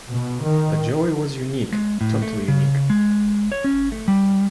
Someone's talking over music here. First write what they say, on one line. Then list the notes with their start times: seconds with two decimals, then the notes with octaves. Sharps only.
But Joey was unique, totally unique.
0.11 B2
0.44 D#3
1.73 G#3
2.01 A2
2.22 A3
2.48 C#3
2.90 G#3
3.52 C#5
3.64 C#4
3.92 A3
4.08 G3